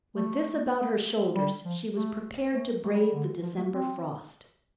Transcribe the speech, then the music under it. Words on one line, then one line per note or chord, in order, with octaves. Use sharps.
With this about her shoulders she was prepared to brave the December frost.
A3
G3
F3
A3
A3
A3
G3
G3
D3
F3
A3
C4